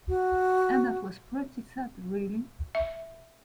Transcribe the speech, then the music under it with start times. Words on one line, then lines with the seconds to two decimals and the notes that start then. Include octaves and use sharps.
And that was pretty sad really.
0.08 F#4
2.75 E5